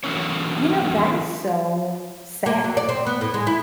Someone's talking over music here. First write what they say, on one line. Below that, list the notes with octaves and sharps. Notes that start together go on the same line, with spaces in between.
You know, that is so sad,
D3 E3 F#3 A#3 C#4 C#5
A#3
F#3
D5
C4
B3
A2
G#3
E4